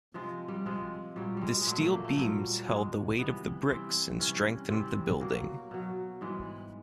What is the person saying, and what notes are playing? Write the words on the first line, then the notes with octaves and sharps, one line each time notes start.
The steel beams held the weight of the bricks and strengthened the building.
C3 F3 G#3
G3
C3 F3 G#3
A#2 F#3 G3
G3 G#3
G#3
A#2 F#3 A3
A3
A#3
A3
A#2 F#3 G3
A#2 F#3 G#3
C3 E3 G3 B3
C3 E3 G3 C4
C3 E3 G3 C#4
C3 E3 G3 C4
B2 F#3 A#3
B2 F#3
G#2 E3 G3 G#3